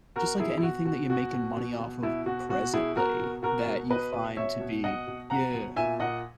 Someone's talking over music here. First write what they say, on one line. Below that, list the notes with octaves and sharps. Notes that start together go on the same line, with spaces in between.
just like anything that you're making money off of presently that you find to be Yeah.
B2 F#4 A#4
B2 E4 G#4
E4
B2 F#4
B2 F#4
B2 F#4
B2
B2
B2
B2 E4
B2 F#4
B2 F#4
B2 E4 G#4
B2 F#4 A#4
B2
B2 F#4 A#4
B2
B2 B4 D#5
B2
B2 C#5 E5
B2
B2 D#5 F#5
B2
B2 F#5 A#5
B2
A#2 E5 G#5
A#2 D#5 F#5